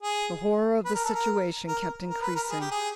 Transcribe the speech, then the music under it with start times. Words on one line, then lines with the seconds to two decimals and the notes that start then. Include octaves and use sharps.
The horror of the situation kept increasing.
0.02 G#4
0.85 B4
0.95 A#4
1.05 A4
1.14 A#4
1.67 A#4
2.09 A#4
2.22 B4
2.36 A#4
2.51 G#4
2.60 G4
2.71 G#4